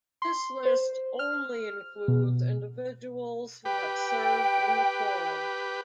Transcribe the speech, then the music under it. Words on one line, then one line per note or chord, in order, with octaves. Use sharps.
This list only includes individuals who have served in the Quorum.
C6
C5
F6
B2
G4 B4 G5